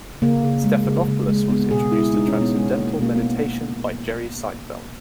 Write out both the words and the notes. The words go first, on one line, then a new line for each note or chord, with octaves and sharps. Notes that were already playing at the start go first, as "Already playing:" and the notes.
Stephanopoulos was introduced to transcendental meditation by Jerry Seinfeld.
C#3 A#3
C#3
G#3
C#3
C#3
G#3
G#3 B3
B2 G#4
G#3 E4
G#3 D#4
C#4
B2
B3
G#3 C#4
A#3
B2 A#3
B2 B3